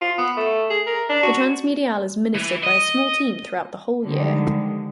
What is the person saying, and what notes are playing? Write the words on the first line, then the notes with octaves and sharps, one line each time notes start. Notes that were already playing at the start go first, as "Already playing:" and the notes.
The transmediale is ministered by a small team throughout the whole year.
F4
B3
A3
G#4
A#4
D4
F#4
E3
D#5
D3 D#3 F3 G3 G#3